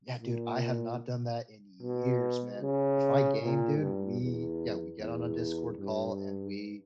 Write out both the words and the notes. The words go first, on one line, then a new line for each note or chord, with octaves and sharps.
yeah, dude, I have not done that in years, man. If I game, dude, we yeah get on a Discord call and we
A#2
B2
C#3
A#2
G2
E2
E2
G2